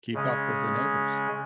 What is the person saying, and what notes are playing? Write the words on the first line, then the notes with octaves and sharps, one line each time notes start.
keep up with the neighbors.
C#3 G#3 C#4